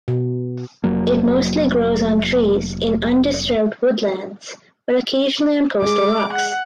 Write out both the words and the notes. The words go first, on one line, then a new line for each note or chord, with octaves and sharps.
It mostly grows on trees in undisturbed woodlands but occasionally on coastal rocks.
B2
F1 F#3 A#3
G#3 G#4 D6
F#5